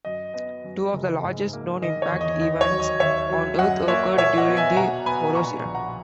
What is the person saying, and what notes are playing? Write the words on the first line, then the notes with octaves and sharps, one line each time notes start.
Two of the largest known impact events on Earth occurred during the Orosirian.
F#2 D#5
B3 D#5
F#2
F#1
G#2
A#3
D#3 D#5
C#5
E2
D#5
D#2 D#5
C#5
F#3
D#5
D#2 C#5 E5
F#3
F#2 D#5 F#5
A#3 C#5 E5
A#2 C#5 E5
D#5 F#5
B3
E5 G#5
B2 F#5 A#5
B3 G#5 B5
A#2 A#5 C#6
A#1
F#5 A#5